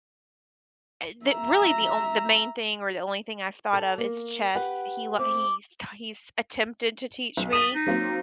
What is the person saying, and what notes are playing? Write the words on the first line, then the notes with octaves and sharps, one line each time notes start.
eh, that really the onl the main thing or the only thing I've thought of is chess. He li he's ki he's attempted to teach me
E5 A#5
A4 A5
A#3
G4 B4 F#5
A3 C4 D6
B1
D#6 A6 B6 D#7
D#4
F#3 A#3 C4